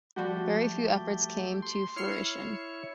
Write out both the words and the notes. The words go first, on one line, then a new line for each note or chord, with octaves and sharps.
Very few efforts came to fruition.
F3 G3 A3 F#4 G4
C6
E4 C#5 F6 C7 C#7